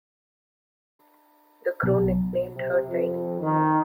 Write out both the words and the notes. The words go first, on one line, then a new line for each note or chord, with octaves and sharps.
The crew nicknamed her "Tiny".
B1
C3
F2
D#3